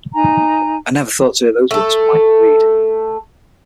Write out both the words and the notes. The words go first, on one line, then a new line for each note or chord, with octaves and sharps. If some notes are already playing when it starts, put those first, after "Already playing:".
I never thought to hear those words from Michael Reid.
D#4 G#5 A#5
A3 A4